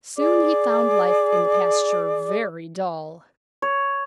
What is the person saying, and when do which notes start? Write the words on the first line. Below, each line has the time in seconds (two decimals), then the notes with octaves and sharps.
Soon he found life in the pasture very dull.
0.17 G#4 D5 D6
3.62 C#5